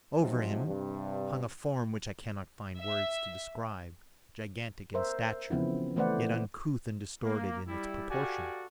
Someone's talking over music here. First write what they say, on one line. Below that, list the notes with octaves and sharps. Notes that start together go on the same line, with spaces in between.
Over him hung a form which I cannot find words to describe--gigantic in stature, yet uncouth and distorted in its proportions.
C3 F3 F#3 G#3 D#4
G2 C3
E5
A#4 C5 E5
C#3 E3 F3 B3 C4 E4
E3 A3 B4 C5 D5 F#5
A#3
G3 E4
F#4 G4 A4 D5 F5 G#5